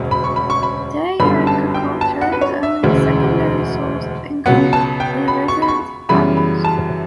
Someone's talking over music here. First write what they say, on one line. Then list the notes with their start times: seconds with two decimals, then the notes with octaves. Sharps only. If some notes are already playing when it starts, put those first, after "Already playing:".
Today agriculture is only a secondary source of income for the residents of Apples.
Already playing: E1 D2 C#3 F#3 C#4
0.11 B5
0.24 C#6
0.36 B5
0.50 C#6
0.63 B5
1.20 G1 F#2 D3 G3 B5
1.47 A5
1.74 G5
2.01 A5
2.21 F#5
2.32 B4
2.41 C#5
2.63 E5
2.83 E1 D2 C#3 E3
4.46 C#2 B2 F#3 B3 F#5
4.73 A5
5.00 G5
5.28 B5
5.48 C#6
5.62 B5
5.68 C#6
6.09 F#2 C#3 E3 G3 B3 B5
6.37 B5
6.65 A5